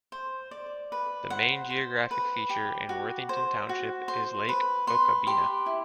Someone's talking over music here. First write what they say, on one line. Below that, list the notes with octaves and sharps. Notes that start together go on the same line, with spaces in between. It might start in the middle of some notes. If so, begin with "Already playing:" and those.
The main geographic feature in Worthington Township is Lake Okabena.
C5
D5
B4
C5 F#5
C5
B4
G4
F#4
C5
F#4
C5
B4
B4 C6
G4 C6
E4